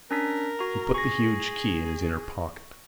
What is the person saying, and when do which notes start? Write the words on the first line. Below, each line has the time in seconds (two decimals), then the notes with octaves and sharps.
He put the huge key in his inner pocket.
0.11 C#4 D4 A#4 B6
0.59 F#4 A#5
0.94 G#4 C#6 A#6